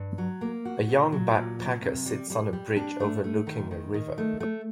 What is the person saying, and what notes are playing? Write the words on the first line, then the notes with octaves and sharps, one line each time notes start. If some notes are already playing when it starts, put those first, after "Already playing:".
A young backpacker sits on a bridge overlooking a river.
Already playing: G2
F#3
A#3
F#4
A#2
F#3
A#2
F#3
C3
G3
G3
G3
D4
A3
A3
D#3
D#3
D#3
A3
A3